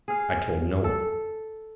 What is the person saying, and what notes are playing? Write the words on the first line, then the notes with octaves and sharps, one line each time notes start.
"I told no one."
G#4 F5
A4